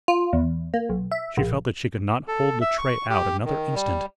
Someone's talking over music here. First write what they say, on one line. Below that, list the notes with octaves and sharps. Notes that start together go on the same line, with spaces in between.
She felt that she could not hold the tray out another instant.
F4
E2
A#3
B1
E5
A#1
A4
E5
C#6
G4
D#3
G3